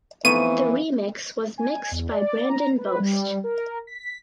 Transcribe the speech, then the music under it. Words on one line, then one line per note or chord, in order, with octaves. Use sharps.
The remix was mixed by Brandon Bost.
F2 E3 A3 B3 D#4 C#6 D#7
G#5
G#5
E2
D5
A#5
B4
G3
A#4
B6